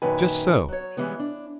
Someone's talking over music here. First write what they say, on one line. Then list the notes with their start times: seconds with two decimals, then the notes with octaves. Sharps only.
Just so.
0.02 F#2 A#2 D#3 B4 G#5
0.68 F#3 C#5
0.97 E3 G3 G#3 B3
1.19 D4